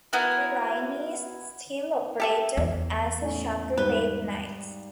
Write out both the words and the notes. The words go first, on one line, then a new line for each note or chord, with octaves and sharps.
The line is still operated as a shuttle late nights.
B3 E4 F#4 A#4
G4 A4 E5
E2
A2 C#4 G#5
G#1 G3 B4 G7